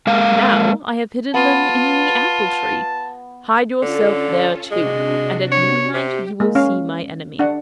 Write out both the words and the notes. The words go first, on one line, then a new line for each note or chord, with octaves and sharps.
Now I have hidden them in the apple-tree; hide yourself there too, and at midnight you will see my enemy.'
G#3 A#3 F5
B3 F4 A5
D3 C#4 F4 A4
C3 G#3 D4 F#4
C#5
C3 G4
G#3 A#3
C#4 F5
D4 F#5